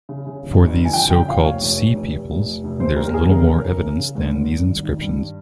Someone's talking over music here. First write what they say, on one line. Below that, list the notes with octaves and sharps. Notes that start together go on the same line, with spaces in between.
For these so-called "Sea Peoples", there is little more evidence than these inscriptions.
C#3
C#3
G1
G1
G1
G#5
F2 G5
C#3 G5
F2 F5
F1 C#5
F1
F1
F1
F1
F1
F1
F1
D#2 C5
D#2 A#4
A#4
D#2 G#4
C#3 A#4
C#3 A#4
C#3
C#3
C#3
G#1
G#1
G#1
G2
D#3
G2